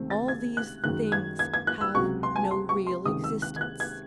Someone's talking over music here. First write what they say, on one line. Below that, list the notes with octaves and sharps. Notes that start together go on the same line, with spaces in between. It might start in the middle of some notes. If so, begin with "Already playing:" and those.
All these things have no real existence.
Already playing: C#2 C3 D#3 A3 C4
A6
G#6
F#6
F#2 D#3 G#3 F#6
G#6
G#6
G#6
F#6
E6
C#2 C3 F#3 C#6
C6
G#5
A5
C6
C#6
C6
C#2 C3 D#3 D#6
E6
F#6
G#6
F#6
G#6